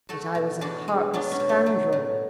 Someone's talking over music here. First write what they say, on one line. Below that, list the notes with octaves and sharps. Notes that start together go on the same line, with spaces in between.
"That I was a heartless scoundrel."
A3 F#4 A4
B2
E3 D4 F#4
G#3
F#3 B3 D4
C#4
B2
B3
F#3
A2